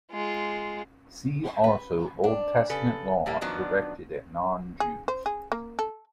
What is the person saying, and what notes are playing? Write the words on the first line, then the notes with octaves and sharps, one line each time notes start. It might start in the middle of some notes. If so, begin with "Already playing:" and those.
See also Old Testament Law directed at non-Jews.
G#3 F4
B4
D4
C#3 A4 B4
A2 G3 A#3
D#3 F3 F#3 B3 D4
G#4
C5
G#4
A#3
A4